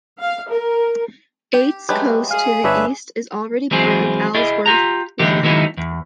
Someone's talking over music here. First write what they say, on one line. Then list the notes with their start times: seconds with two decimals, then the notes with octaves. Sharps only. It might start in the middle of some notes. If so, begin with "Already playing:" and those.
Eights Coast to the east is already part of Ellsworth Land.
0.20 F5
0.51 A#4
1.54 G4
1.89 F#3 G#3 A3 G4 B4
2.30 G#4 F5
2.64 G1 D4 B4 C#5 E5
3.71 E3 F#3 G#3 C4 G#4
4.35 E4 G#4 D5 D#5
4.66 F4 G4 A#5
5.19 D3 E3 A3 D#4 G4
5.43 D#3 F#3 G#3 B3 D#4 E4
5.77 E2